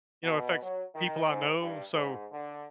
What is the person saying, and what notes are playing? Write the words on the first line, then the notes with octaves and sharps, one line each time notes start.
you know, it affects people I know. So,
B2
F#3
D#3
G#2
G2
G#2
D3